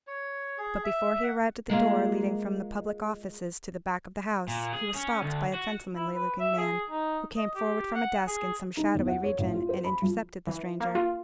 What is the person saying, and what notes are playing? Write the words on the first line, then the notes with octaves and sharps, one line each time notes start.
But before he arrived at the door leading from the public offices to the back of the house, he was stopped by a gentlemanly-looking man, who came forward from a desk in some shadowy region, and intercepted the stranger.
C#5
G#4
E5
F#5
G#3 A#3 F4
A#2
G#4
C#4
D2
F#4
E4
B4
E5
G#4
D#4
D#5
G4
F#5
G#4
D#4
E2
F#5
C#5
A1
F4
C5
B5
F3
E3
A#3
F4